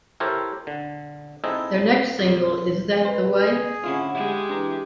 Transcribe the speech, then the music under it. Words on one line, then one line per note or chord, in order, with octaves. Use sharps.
Their next single, Is That the Way?
E4 G4 A4 A#4 C5 C#5
D3
C4 D#4 E4 G#4 A4 D#5
F2
B4 C5
G#4
A2 D3 C#4 E4 F4 F#5
G#3 E4 G4
E3 D4 A#5